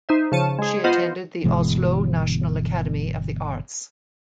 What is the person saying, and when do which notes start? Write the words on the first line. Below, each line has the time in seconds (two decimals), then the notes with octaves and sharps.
She attended the Oslo National Academy of the Arts.
0.09 D#4 C5 E5
0.32 C#3 F3 A5 C#7 D#7
0.59 G#3 G#4
0.84 B3 F4 C5 D#5 F5 F#5
1.44 G1 B2 E3 G#3